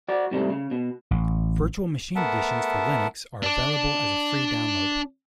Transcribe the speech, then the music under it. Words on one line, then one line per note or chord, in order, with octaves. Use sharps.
Virtual Machine Additions for Linux are available as a free download.
F#4 D5
G#2 C3 G3 A3
C#3
B2
A1
A3 B3 A#4 E5 F#5 A5
D4 D5